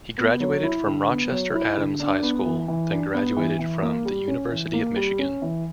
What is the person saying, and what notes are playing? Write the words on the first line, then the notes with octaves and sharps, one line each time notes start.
He graduated from Rochester Adams High School, then graduated from the University of Michigan.
B3
F#3
E4
D3
B3
F#3
E4
D3
D4
B3
E3
E3
D4
B3
E3
E3
A#3
G3
C#4
E3
A#3
G3
C#4
E3